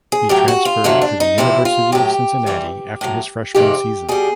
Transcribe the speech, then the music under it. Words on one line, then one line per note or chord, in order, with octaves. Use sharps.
He transferred to the University of Cincinnati after his freshman season.
G#4
A2 F#3 G4
F#4
F4
F2 D3 F#3 E4
D4
D#4
E2 C3 F3 E4
F4
A2 F#3 G4
G#2 E3 G3
A2 F#3
F2 C3 D#3 G#3 G4
B2 G3 G#4